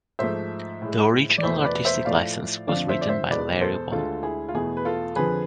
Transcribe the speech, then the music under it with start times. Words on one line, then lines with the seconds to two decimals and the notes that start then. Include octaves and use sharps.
The original Artistic License was written by Larry Wall.
0.19 G#2 F3 A3 C5 E5
0.82 A2 G#3
1.38 D5
1.43 E2 B2 A3 C5 E5
1.65 B4 D5
1.85 C5 E5
2.05 A2 F3 A3 D5 F5
2.68 F2 D3 F3 A3 D5 F5
2.89 C5 E5
3.01 D5
3.09 C5 E5
3.30 E2 B2 G#3 B4 D5
3.61 A4 C5
3.92 D2 D3 G#3 F4 A4
4.23 E4 G#4
4.49 F4
4.54 E2 B2 A3 E4 G#4
4.77 B4
4.85 F4 A4
5.16 F2 D3 F3 G#4 B4